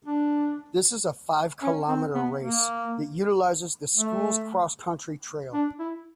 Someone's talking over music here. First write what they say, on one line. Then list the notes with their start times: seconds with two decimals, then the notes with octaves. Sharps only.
This is a five kilometre race that utilises the school's cross country trail.
0.06 D4
1.62 C#4
1.88 C4
2.14 B3
2.41 A#3
3.97 A3
5.53 D4
5.79 E4